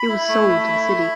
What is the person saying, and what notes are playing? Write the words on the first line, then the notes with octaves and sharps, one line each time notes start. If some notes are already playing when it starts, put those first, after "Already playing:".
It was sold to the city.
Already playing: B5
E4
A3
A3
E4
E4